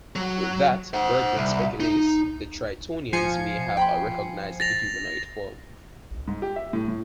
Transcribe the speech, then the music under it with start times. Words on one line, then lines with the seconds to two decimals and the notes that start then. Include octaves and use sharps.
With that, Bergman speculates the Tritonians may have a recognisable humanoid form.
0.16 F#3
0.94 C5 F#5
1.37 C2
1.80 D#4
3.13 F3 G#5 C7 C#7
3.77 G5 B5 C6
4.60 A6 A#6 F7
6.28 G#2
6.42 G4
6.56 E5
6.73 A2
6.88 A2